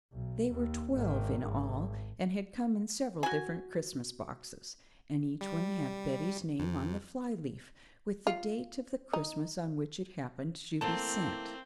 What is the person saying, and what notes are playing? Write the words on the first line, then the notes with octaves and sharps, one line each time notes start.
They were twelve in all, and had come in several different Christmas boxes, and each one had Betty's name on the fly-leaf, with the date of the Christmas on which it happened to be sent.
B1
D#2
G#1 D#3
G#1
F#4 G#5
G3
F2
F4
D#4
E3 A3 A#3 C4 A5